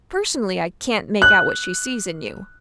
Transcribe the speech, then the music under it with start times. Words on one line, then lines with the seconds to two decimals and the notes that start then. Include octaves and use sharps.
Personally, I can't make out what she sees in you.
1.22 F#6